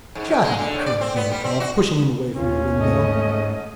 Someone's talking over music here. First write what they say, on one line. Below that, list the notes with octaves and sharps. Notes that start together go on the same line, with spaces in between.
"Shut up!" cried Dolokhov, pushing him away from the window.
G#2
A2
G#3
D3
A2
D5
C4
B3
G3
C4
F#4
D#2 C#4 F4
G#2 A3 D#5